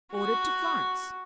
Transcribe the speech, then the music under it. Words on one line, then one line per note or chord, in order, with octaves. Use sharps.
Ordered to Florence.
F#4